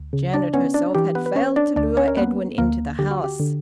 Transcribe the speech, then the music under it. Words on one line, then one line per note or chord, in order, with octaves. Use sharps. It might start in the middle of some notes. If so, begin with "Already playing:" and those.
Janet herself had failed to lure Edwin into the house.
Already playing: D2
C#3
D4 D5
B3 C#4 C#5
D4 D5
E3 G4
B3 B4
B4
B3 C#4 C#5
D4 D5
D2 D4 D5
C#4 C#5
A#4
A#3 B3 B4
D2 A#3 A#4
D3 G4
F#4
G4
D3